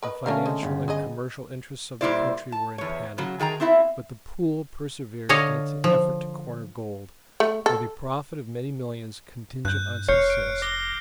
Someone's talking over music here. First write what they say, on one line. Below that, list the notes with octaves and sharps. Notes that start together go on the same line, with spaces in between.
The financial and commercial interests of the country were in panic; but the pool persevered in its effort to corner gold, with a profit of many millions contingent on success.
A#4 B4 D#5
D3 A3 A#3 C#4 A#4 F5
G#3
G1 C#3
B3 G#4 D#5
A#2 D#3 G3 E4 C5 D5
A5
E2 C#5
C#3 F#3
D#3 G#4 G5 A#5
B3 C4 E4 E5
D3 C#5 D#5 F5 A5
F3
A3
A4
G2 F#6 G6
F1 C#5 F6 G6 C7
D7
D6 A#6 G7